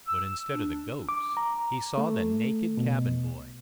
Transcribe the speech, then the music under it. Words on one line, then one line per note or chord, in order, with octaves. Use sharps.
But instead of the goats, he saw the naked cabin boy.
E6
D4
D6
A#5
A3
B2